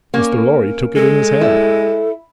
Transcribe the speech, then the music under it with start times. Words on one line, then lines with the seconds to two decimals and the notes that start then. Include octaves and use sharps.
Mr. Lorry took it in his hand.
0.14 A#3 C#4
0.96 G#3 A4
1.41 E4